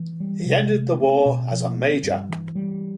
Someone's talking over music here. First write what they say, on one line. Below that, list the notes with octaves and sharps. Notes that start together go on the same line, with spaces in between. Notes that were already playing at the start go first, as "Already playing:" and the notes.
He ended the war as a Major.
Already playing: E3
G3
C3
A3
C4
B2
F3
B3
G2
E3
G3